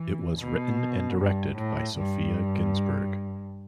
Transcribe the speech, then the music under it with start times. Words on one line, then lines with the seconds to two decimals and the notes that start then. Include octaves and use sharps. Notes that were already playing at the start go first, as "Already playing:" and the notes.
It was written and directed by Sophia Ginzburg.
Already playing: E3
0.40 B2
1.18 G2
1.58 A2
1.97 G2